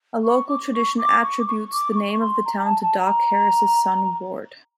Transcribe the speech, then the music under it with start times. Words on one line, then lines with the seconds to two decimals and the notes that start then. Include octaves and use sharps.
A local tradition attributes the name of the town to Doc Harris's son Ward.
0.24 C#6
0.48 D6
0.74 C#6
0.98 D6
1.22 C#6
1.39 D6
1.47 C#6
1.72 D6
1.95 C#6
2.12 C#6
2.20 C6
2.45 A#5
2.64 A5
2.82 A5
3.00 A#5